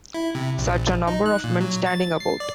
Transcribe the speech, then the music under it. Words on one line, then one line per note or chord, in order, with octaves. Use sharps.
Such a number of men standing about!
E4
C3
A#1
D#4
F#6
A#2
F#3
A6
C7
D5